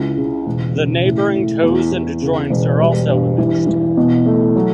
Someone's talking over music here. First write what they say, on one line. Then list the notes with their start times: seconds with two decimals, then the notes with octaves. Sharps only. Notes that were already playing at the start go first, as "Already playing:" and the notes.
The neighbouring toes and joints are also imaged.
Already playing: C#2 E4
0.17 C#3
0.46 E1
0.76 C#3
1.05 A2
1.34 A2
1.63 E2
1.92 E2
2.22 C#3
2.50 E1
2.79 G3
3.10 G2
3.38 E3
3.67 E3
3.97 B2
4.26 A3
4.56 F#3